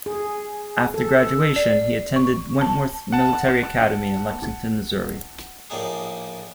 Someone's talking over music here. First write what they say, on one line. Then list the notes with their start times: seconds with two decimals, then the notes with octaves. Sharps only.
After graduation, he attended Wentworth Military Academy in Lexington, Missouri.
0.06 G#4
0.94 A4
1.56 D5
2.16 C#6
2.61 A5
3.12 F#5 A5
5.70 A#1 A2 A#3 D#4 G#4